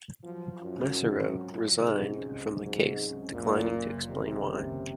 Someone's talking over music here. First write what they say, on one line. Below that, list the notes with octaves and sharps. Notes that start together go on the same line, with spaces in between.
Mesereau resigned from the case, declining to explain why.
F3 F#3
F4
F#2
G#2
C4
F#3
F4
G#2 C3
C#4
C#2
G#2 F#3
C3
C#4
F#2 A#2
F#1
F#1
C3 D#3
F#2
F#1